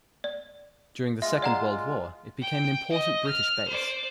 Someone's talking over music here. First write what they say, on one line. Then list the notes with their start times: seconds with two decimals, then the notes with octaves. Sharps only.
During the Second World War it became an important British base.
0.24 D5
1.22 G#3 F4 E5
1.42 D5 F#5 A#5
2.41 G5
2.92 D#5
3.26 F6
3.67 C5 D5